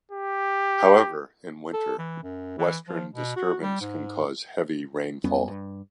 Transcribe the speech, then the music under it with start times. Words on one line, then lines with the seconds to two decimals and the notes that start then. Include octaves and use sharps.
However, in winter, Western Disturbance can cause heavy rainfall.
0.11 G4
1.73 A4
1.98 E3
2.23 F#2
2.58 E3
2.88 F3
3.14 B2
3.36 F#4
3.62 G3
3.81 G#2
5.24 F2 G3 B3 C#4
5.48 G2